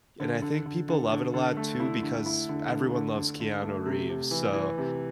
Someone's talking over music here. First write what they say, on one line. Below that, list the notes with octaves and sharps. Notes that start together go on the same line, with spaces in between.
And I think people love it a lot, too, because everyone loves Keanu Reeves. So
D3
D3
D3
D3
D3
D3
A3
E4
D3
E4
D3
D3
D3
D3
D3
A3
C3
C3
E3
E3
C3